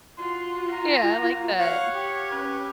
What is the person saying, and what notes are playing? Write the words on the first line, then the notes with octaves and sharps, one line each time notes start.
Yeah, I like that.
F4 F#4 C6
A#5
A#3
C#5 F5 F#5
G4
C#4 B4